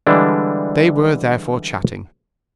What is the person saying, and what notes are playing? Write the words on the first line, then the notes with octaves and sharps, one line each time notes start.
They were therefore chatting.
D3 E3 G3 G#3 D4